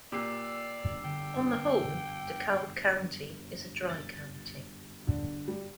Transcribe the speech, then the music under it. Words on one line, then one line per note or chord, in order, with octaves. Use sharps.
On the whole, DeKalb County is a dry county.
A#2 G4 D5 G5 D6 E6 F#6 C7
D3 G5
A6
D3
G3